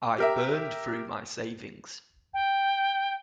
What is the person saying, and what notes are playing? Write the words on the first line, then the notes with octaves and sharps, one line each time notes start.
I burned through my savings.
G4 A#4 E5
G5